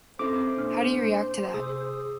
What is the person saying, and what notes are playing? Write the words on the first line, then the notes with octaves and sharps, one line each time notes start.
How do you react to that?
C4 C#4 E4 A4 C5 E5 D6
B2 A#3 D4 F6
C3 G#4 D#6 E6